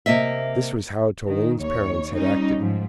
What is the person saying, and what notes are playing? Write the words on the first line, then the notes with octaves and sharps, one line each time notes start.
This was how Toline's parents had acted.
C3 A#3 D#5 E5
D#3
D#2 C#5
G3 C#4 D#4
G#2 F3